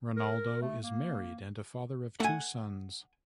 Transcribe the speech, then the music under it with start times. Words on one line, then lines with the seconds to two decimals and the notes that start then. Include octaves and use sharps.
Ronaldo is married and a father of two sons.
0.17 A#4
0.62 A3
0.83 A#3
2.20 A3 F#5 G#5